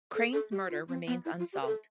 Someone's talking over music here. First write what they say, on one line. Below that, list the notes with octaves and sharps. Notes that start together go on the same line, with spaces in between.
Crane's murder remains unsolved.
A4
A4
G4
F4
C4
B3
E4
F4
G4
B4
A4